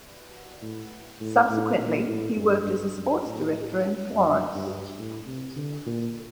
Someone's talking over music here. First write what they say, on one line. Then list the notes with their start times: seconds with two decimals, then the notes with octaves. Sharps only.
Subsequently he worked as a sports director in Florence.
0.62 A2
1.20 A2
1.49 A2
1.78 A#2
2.07 A2
2.36 G2
2.65 G2
2.94 F#2
3.24 A2
4.11 F#2
4.55 G2
4.99 A2
5.27 C3
5.56 D3
5.86 A#2